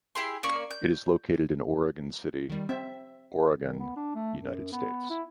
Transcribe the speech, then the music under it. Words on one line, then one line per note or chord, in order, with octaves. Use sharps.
It is located in Oregon City, Oregon, United States.
E4 G4 G#4 C6
A#3 C#4 D5 C#6
G6
D#3 G3
C4 E5
D#3
B3
D4
A3
F#2
B3
E4